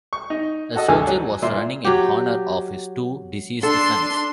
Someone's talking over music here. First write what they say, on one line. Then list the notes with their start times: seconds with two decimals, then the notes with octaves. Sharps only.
A soldier was running in honor of his two deceased sons.
0.13 C#6
0.30 D#4
0.76 F#4 A4 D#5
0.88 D2 D3 G#4 A4 G#5 F6
1.07 F#3
1.42 A#2 E4 C6
1.85 F#3 G4
3.63 D4 A4 C6